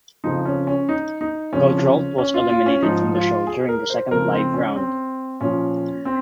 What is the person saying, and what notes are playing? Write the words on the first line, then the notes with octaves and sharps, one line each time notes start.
Gaudreault was eliminated from the show during the second live round.
F2 C#3 F3 D#4
C#4
C#4
D#4
D#4
F2 C#3 F3 C#4
C#4
F4
F4
C#4
G#2 F3 D#4
F4
G#4
A#4
C5
F2 C#3 F3 A#4
C4
C#4
C4
A#2 F3 C#4
C4